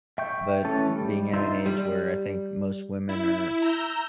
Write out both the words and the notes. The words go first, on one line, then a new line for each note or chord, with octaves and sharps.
but being at an age where I think most women are
E5 G5 C#6 G6
E3 A3 C#4 A4
G3
D#4 F4 C5 E5
G3
E4
A#5 E6 G6